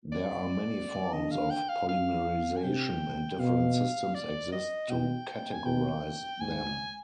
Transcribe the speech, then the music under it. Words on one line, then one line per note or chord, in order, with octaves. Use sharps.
There are many forms of polymerization and different systems exist to categorize them.
D5
D3 D#5
F5
G5
F5
F5
G#5
C3 G5
B2 F5
D5
D#5
B2 G5
G#5
B2 G5
G#2 G#5